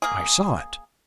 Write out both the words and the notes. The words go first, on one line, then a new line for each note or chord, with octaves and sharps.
"I saw it."
A#3 G#4